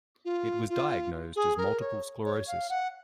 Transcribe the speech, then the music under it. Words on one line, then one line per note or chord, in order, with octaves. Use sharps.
It was diagnosed as multiple sclerosis.
F4
F4
G#4
A#4
C#5
C#5
F5
F#5